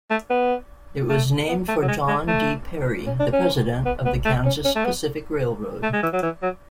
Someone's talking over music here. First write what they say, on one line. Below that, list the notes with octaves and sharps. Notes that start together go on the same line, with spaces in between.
It was named for John D. Perry, the President of the Kansas Pacific Railroad.
A3
B3
A3
B3
A3
F#3
G#3
G#3
A3
C#4
D4
C#4
B3
B3
A3
C#4
C#4
A3
B3
A3
G#3
E3
F#3
E3
F#3